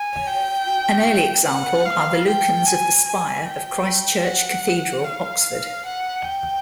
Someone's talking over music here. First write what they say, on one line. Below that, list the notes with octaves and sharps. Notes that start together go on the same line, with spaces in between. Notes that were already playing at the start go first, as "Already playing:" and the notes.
An early example are the lucarnes of the spire of Christ Church Cathedral, Oxford.
Already playing: G#5
G5
F#5
F5
G5
G#5
G#5
G5
F#5
F5
F#5
G5